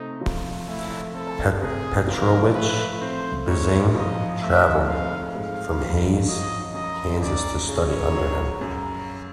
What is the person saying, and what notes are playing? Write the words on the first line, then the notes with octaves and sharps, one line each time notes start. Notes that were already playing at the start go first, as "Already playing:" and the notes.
Petrowitsch Bissing traveled from Hays, Kansas to study under him.
Already playing: C3 A3 C4 D#4
F3
A3 E4
C4 A4
C3 G#4
F3 A#4
A3 B4
C4 C5
G#2 C#5
F3 D#5
A3 E5
C4 F5
G#2 F5
F3
F#3 D#5
F#2 D#5
F#2 D5
C#3 C#5
F#3
F#2